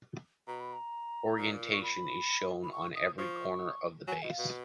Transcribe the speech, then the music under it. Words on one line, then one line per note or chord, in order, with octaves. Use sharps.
Orientation is shown on every corner of the base.
B2 A#5
B5
A#5
A#2
C#6
B5
B5
C#6
D#6
F3 C#6
F#3 G#5
B2 D#5
F5
B2